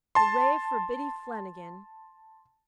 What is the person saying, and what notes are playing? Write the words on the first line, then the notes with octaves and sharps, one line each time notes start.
Hooray for Biddy Flanagin!
A5 C6